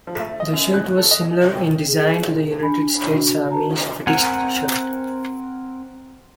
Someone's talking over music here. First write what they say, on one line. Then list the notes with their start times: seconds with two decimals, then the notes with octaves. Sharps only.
The shirt was similar in design to the United States Army fatigue shirt.
0.07 F3
0.19 A3
0.40 D#5
0.53 F#2
0.74 F#6
0.97 A4
1.11 D#5
1.56 G5
1.88 G#4
2.61 D4 G#5 B5
3.13 D4 F#4
3.51 B4 A5 A#5
4.07 C4 A#4 F#5 G#5